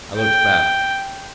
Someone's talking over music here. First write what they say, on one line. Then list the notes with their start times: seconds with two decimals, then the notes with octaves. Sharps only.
I looked back.
0.16 G5